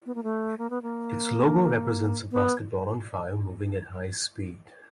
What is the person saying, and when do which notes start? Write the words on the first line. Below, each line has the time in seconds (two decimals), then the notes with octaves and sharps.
Its logo represents a basketball on fire moving at high speed.
0.06 B3
0.15 A#3
0.23 A3
0.58 A#3
0.70 B3
0.82 A#3
2.32 B3